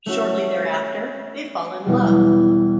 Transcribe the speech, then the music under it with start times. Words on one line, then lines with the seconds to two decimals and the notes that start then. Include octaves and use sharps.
Shortly thereafter, they fall in love.
0.06 A3 C#4 F#4
1.86 E2 B2 G3